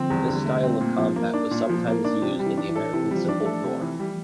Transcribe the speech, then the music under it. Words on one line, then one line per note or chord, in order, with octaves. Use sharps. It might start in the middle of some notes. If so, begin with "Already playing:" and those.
This style of combat was sometimes used in the American Civil War.
Already playing: D3 F3 A3 C4
E2 G3
D3
G3
A3
G3
C4
A#2
F3
A#3
D4
A#2
F3
A#3
D4
C3 F3
G3
E3
D4
E3
A4
C3 E3
G3
F3
D4
A3
A4
C3
E3
G3